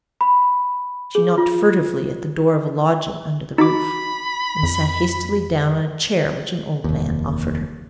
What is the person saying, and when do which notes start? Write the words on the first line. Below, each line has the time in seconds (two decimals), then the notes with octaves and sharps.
She knocked furtively at the door of a lodging under the roof, and sat hastily down on a chair which an old man offered her.
0.21 B5
1.15 G#4
1.38 F4
3.58 D#4 F#4 B5 D6
4.63 F2
6.84 F1 D#2